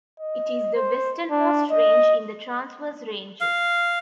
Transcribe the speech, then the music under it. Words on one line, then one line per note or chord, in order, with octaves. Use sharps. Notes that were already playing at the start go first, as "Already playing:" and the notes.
It is the westernmost range in the Transverse Ranges.
D#5
C5
D4
D#5
F5